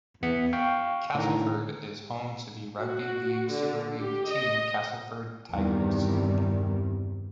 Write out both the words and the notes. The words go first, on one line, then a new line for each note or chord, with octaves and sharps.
Castleford is home to the rugby league Super League team Castleford Tigers.
E2 B3 B6 C#7
F5 G5 C#6
A2 D3 D#3 D#4 A#5
F#4
D3
G4
D#5
E2 G2 C3 D#3 G3